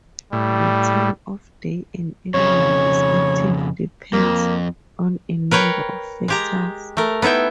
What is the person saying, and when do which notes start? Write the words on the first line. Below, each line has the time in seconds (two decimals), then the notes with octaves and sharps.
The time of day an animal is active depends on a number of factors.
0.33 A2 G3
2.34 F2 C#3 C#5
4.13 F2 A#3
5.51 A#4 B4 C#5 G5
6.28 G#3 G4 A#5
6.97 A3 A#4
7.22 B3 D#4 E4 E5 G5